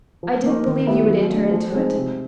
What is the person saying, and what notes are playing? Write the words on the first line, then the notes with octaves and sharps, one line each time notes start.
I didn't believe you would enter into it.
F3
A#3 D#4
D#3
G3 B3 E4
F#3
A3 D4
F3
G#3 C4 D#4
C3